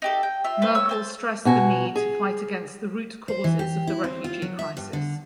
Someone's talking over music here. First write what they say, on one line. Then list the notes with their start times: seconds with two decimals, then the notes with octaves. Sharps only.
Merkel stressed the need to fight against the root causes of the refugee crisis.
0.02 D#4 G4 A4
0.23 G5
0.44 F4 E5
0.62 F4 B4 C5
0.75 B3 C#5 E6
0.89 C5 G#5 A5
1.45 B2 F#4 G#5 A#5
1.96 G#4
3.28 C5
3.44 E3
3.59 G4
3.87 E4
4.04 C4
4.24 F4
4.42 F#3
4.59 E5
4.77 G2
4.93 D3